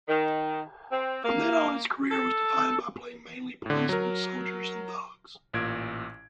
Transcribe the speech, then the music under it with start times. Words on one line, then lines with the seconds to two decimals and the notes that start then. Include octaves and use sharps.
From then on his career was defined by playing mainly policemen, soldiers, and thugs.
0.08 D#3
0.91 C4
1.24 A#3
2.11 A4
3.66 A2 D3
3.89 F#3 A#4
5.53 A1 A#2 G#6 D7